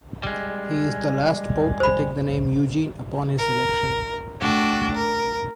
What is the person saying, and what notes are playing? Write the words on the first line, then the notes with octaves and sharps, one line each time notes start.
He is the last pope to take the name "Eugene" upon his election.
G3 G#3
C5 B5
A#4
A3 D4 F#4 G5
A#4